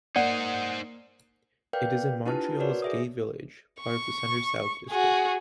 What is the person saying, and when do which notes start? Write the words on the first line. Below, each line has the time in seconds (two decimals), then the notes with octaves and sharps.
It is in Montreal's Gay Village, part of the Centre-South district.
0.16 A#3 D#4 C5 D5 F#5 D#7
1.73 A#4 B4 D5 F5 G5 G6
2.26 D4 E4 F4 G4 B4 A5
2.60 F#4 A#4 B4 C#5 D5
2.82 G#4 E5 D#6
3.81 C#6
4.90 F#4 G#4